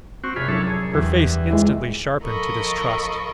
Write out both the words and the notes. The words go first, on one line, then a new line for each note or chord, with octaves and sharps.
Her face instantly sharpened to distrust.
C4 F#4 C#6
F1 F4 G#4 B5
F#2 D4 E4 A4 A#4 C#5
G#4
E2 E3 G3
D2 G#3 E4
F3 A4 A#4 D#5 B5 C#6